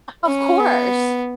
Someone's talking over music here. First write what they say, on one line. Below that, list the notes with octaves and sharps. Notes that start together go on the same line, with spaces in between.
Of course.
C#4
B3